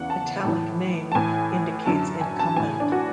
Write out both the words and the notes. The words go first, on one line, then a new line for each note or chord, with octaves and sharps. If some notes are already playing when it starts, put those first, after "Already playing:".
"Italic name" indicates incumbent.
Already playing: E2 C#3 E3 F#5
A5
A2 E3
A5
A2 E3 G#5
F#2 D3 A5
G#5
A5
A2 E3 G#5
D4
F#4